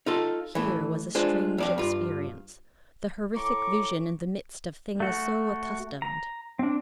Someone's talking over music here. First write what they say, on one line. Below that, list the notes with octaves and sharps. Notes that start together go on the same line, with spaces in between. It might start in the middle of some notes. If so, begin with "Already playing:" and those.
Here was a strange experience--the horrific vision in the midst of things so accustomed.
D#4 F4 A4
E3 A3
G#3 D4 F4 C5
F2 D5 F5
G2 F4
A2 A#5 C#6 D6
A3 F#4
A#5
C4 D4